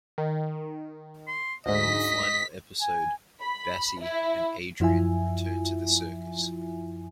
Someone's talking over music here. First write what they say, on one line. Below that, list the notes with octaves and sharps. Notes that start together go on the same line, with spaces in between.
In the final episode Bassie and Adriaan return to the circus.
D#3
C6
D2 G#2 D#5 B6
G#5
B5
E4
F#2 F3 E4 F4 E5 G#5